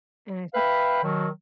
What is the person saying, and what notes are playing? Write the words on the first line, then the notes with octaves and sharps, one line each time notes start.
And I think
B4 E5 F5 G5 B5
B2 D#3 F#3